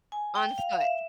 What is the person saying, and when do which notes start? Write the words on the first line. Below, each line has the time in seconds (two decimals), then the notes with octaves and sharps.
On foot,
0.12 G#5
0.35 G5
0.58 F5
0.73 F5
0.81 E5